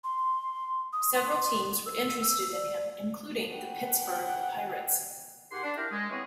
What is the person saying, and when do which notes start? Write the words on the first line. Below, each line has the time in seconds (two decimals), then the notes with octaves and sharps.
Several teams were interested in him, including the Pittsburgh Pirates.
0.04 C6
0.93 D#6
1.15 C6
1.86 E6
2.20 E6
2.52 D5
3.57 F#5 G5
5.52 D#2 G4 G#4 F#5 C6
5.64 D4
5.77 E4 G4 A#4 F5 G5 A#5
5.91 G#3
6.11 E3 B3 C4 G#4 C#5